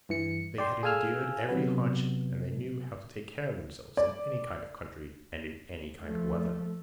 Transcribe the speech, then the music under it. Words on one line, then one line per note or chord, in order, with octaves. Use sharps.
They had endured every hardship and they knew how to take care of themselves in any kind of country and in any kind of weather.
G2 E3 C#7
D5 G5 C6
G#4 A4 F5 G#5 E6 F6
C3 F#3 B3
D5
F3 A3